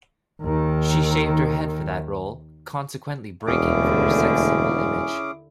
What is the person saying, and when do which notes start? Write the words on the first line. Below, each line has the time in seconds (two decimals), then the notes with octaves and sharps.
She shaved her head for that role, consequently breaking from her sex symbol image.
0.42 D#2 D#3
3.47 E1 D#2 D3 A3 C#4 E4 G#4 D6